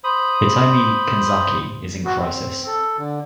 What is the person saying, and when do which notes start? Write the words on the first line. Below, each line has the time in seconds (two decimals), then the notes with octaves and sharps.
Hitomi Kanzaki is in crisis.
0.04 C5 B5 D#6
2.05 F#4
2.19 C4
2.67 A4
2.98 D3